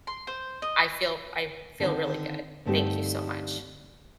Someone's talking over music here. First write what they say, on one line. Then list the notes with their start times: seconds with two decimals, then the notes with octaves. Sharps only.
I feel I feel really good. Thank you so much.
0.07 C6
0.27 C5
0.62 D#5
1.80 D3 D#3 C4 C5
2.65 G2 D3 A3 C4 D#4 G4